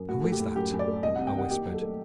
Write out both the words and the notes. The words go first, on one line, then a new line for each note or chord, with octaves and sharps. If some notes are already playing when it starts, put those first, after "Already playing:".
'Who is that?' I whispered.
Already playing: F#2
A2 F#4
A3
G4
A2
F#2 G4
F#2
D5
A3
C2 D#5
C3 F#5
G5
D#3 F#5
A#2 G4
F#3
A4
A3